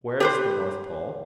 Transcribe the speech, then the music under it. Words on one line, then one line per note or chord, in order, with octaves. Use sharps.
"Where is the North Pole?"
G4 B4 C5